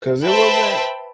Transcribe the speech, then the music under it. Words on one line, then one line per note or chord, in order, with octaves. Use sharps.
'cause it wasn't
B4 C5 E5 G5 A5 B5